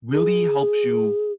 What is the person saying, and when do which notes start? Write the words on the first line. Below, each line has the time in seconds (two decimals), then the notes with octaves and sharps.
really helps you
0.12 G#4